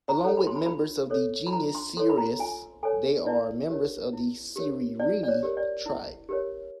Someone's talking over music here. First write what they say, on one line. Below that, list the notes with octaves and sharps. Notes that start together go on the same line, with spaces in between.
Along with members of the genus "Sciurus", they are members of the Sciurini tribe.
A#5
A4 C#5
B5
C6
B5
F4 B5
A4 C#5
B5
F4 A#5
C6
A4 C#5 C6
B5
A#5
F4 G#5
A4 C#5 G#5
E4 D5
G4 A#4 C#5
E4
G4 A#4 C#5
E4 D5
D5
C#5
G4 A#4 C#5
D5
E4
G4 A#4 C#5